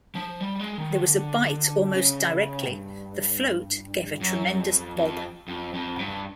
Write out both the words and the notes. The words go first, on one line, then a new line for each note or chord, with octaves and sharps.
There was a bite almost directly; the float gave a tremendous bob!
F3
G3
G#3
D#3
D3
C#3
G2
F#2
F2
F2
F2
F2
G2